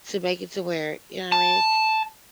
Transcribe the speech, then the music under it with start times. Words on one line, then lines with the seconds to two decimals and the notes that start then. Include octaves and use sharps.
to make it to where you know I mean?
1.32 A5